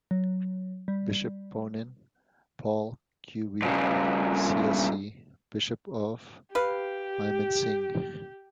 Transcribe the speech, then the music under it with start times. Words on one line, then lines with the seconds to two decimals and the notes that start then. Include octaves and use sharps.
Bishop Ponen Paul Kubi, csc, Bishop of Mymensingh.
0.11 F#3
0.88 G3
3.62 G2 C#3
6.55 G4 B4 F5